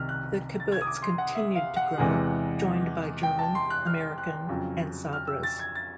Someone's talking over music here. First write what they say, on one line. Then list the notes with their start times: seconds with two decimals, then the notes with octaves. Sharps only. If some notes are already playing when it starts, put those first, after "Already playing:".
The kibbutz continued to grow, joined by German, American, and Sabras.
Already playing: C2 C3 D#3 F6
0.09 F#6
0.60 A6
0.72 G#6
0.81 D#6
0.87 D6
1.02 C6
1.18 F#5
1.35 E5
1.55 F5
1.76 F#5
1.98 E2 C3 E3 G#3
3.23 G5
3.39 A5
3.55 C6
3.70 F#6
3.87 F6
4.18 F#6
4.49 F2 C#3 F#3
5.13 F6
5.27 E6
5.43 A6
5.59 G#6
5.75 A6